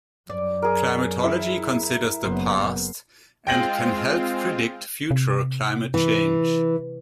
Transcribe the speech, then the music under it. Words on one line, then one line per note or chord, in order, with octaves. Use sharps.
Climatology considers the past and can help predict future climate change.
F#2 D5
G#4 A#4
E4
F#1 B3 C5
G#3 C4 F4 G5 A#6 F#7
C3
E3